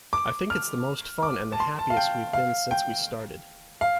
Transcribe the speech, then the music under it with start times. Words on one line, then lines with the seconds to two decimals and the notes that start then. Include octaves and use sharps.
I think it's the most fun and the happiest we've been since we started.
0.13 D6
0.50 F6
1.23 D6
1.52 A5
1.60 C6
1.79 A5
1.90 F5
1.97 G5
2.33 F5
2.71 G5
3.81 F5